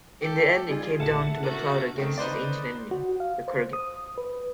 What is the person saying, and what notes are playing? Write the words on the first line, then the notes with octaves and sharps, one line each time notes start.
In the end, it came down to MacLeod against his ancient enemy, the Kurgan.
G4 A4
G3 D#4 F4 G#4
A#1 A#2 A3 E4 A4 F#5
A3 D4 F#4 A#4
D#3 A3 C4
D#4 B4 C5 D5
F#4
F5
C5
D#6
B4